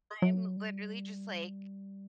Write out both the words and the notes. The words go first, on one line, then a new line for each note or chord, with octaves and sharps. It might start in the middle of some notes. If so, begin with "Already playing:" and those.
I'm literally just like
F#3
G3